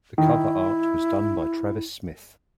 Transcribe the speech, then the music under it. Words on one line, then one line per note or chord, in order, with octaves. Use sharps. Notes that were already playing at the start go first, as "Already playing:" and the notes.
The cover art was done by Travis Smith.
D#3 E4